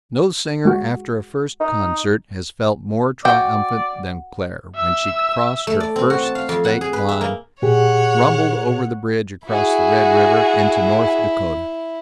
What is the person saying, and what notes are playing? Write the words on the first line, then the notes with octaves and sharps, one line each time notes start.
No singer after a first concert has felt more triumphant than Claire when she crossed her first state-line; rumbled over the bridge across the Red River into North Dakota.
G#3 F#4
D#4
F#4 D5 G5
E5 E6
A3
D5
C4
F#4
A5
F5
F2
F#5
G#4
B4
E5
A#3
A#2 G4 G#4 C#5 F#5
E4 F#4 G#4